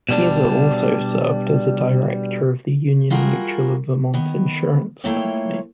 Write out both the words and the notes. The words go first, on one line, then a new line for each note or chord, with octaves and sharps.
Keyser also served as a Director of the Union Mutual of Vermont insurance company.
B2 G3 D4
G3 F4 F#4 G#4 A#4 F#5
D#3 B3
A3 A#3 E4 F4 C#5 G5